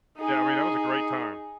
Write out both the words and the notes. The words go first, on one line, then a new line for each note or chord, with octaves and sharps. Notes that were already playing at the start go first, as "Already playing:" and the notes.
Yeah, I mean, that was a great time.
D#4 G#4